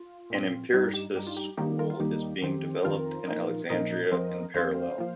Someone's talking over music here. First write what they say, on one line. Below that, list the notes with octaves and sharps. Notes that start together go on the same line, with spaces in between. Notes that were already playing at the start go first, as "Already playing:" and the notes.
An empiricist school is being developed in Alexandria in parallel.
Already playing: F4
A#2 F3 C4
G2 G3 D#4 F4
G4
G4
G2 G3 D#4 G4
F4
G4
D#2 D#3 G3 A#3 D#4 G4
F4 A#4
F4
D#2 D#3 G3 A#3 D#4 G4
F2 D#3 C4
F2 D#3 C4 F4 A#4
A#2 F3 D#4
A#2 F3 D#4 A#4 D#5
F2 F3 C4
F2 F3 C4 C5 F5
A#2 F3